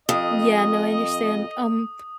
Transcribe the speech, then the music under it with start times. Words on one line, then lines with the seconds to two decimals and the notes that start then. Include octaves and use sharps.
Yeah, no, I understand. Um,
0.09 F2 D#5 D#6